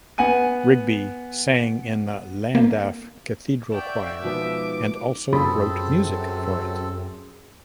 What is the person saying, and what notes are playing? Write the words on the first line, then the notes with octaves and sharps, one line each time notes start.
Rigby sang in the Llandaff Cathedral choir and also wrote music for it.
B3 F#5 G#5 D#7
A#3
D5 E5 F#5 G5 C#6 D6 E7
B2 F3 G#3 B3 D#4 F#4 D6
F#2 C4 F4 G#4 A4 B5